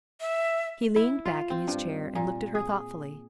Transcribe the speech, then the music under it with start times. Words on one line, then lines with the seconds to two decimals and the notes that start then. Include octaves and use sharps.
He leaned back in his chair and looked at her thoughtfully.
0.21 E5
0.96 E4
1.25 F4
1.50 C4
1.68 G2
2.15 A#2
2.55 G#4